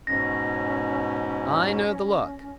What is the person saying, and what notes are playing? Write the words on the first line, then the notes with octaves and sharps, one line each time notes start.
"I know the look."
G#2 B2 C#4 A#6